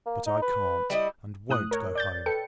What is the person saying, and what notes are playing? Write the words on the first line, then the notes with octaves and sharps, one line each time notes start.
But I can't, and won't, go home.
A#3
D#4
B4
G3 E4 D#5
A2 D#6 F#6
A#4 C#5
D5 G6 A6
A4 B4 G5 C#7